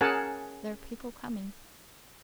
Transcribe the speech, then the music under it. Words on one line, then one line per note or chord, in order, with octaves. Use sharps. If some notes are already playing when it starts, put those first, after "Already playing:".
There are people coming....
C#4 G#4 A#4 F#5 G#5 A5